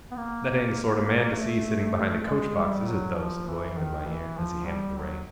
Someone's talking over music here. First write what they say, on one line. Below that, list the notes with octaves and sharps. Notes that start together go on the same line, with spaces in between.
'That ain't a sort of man to see sitting behind a coach-box, is it though?' said William in my ear, as he handled the reins.
B3
A#3
A3
A3
G#3
G3
F#3
F3
E3
D#3
E3
F3
G3
F#3